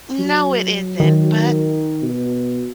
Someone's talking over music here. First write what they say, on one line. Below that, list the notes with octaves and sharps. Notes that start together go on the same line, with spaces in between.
No, it isn't, but
F#3
D#3
B2